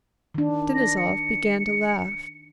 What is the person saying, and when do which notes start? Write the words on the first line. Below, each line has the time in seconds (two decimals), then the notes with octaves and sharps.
Denisov began to laugh.
0.34 D#3 D4
0.75 A#6
0.98 C#7